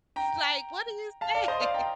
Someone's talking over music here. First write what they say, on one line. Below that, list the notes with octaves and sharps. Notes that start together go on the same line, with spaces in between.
like, what do you say,
G5 A#5
F5 A5
D5 F5
C5 D#5
D5 F5
G5 A#5